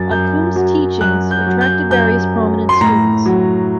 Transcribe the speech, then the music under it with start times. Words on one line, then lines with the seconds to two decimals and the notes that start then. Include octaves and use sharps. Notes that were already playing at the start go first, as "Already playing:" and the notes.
Accum's teachings attracted various prominent students.
Already playing: F#2 F#3 A6
0.11 F#2 G6
0.56 F#3
1.01 F#2 F#6
1.31 G6
1.46 F#3
1.61 G6
1.90 F#2 G6
2.36 F#3
2.69 C6
2.81 A2 A#5
3.26 F#3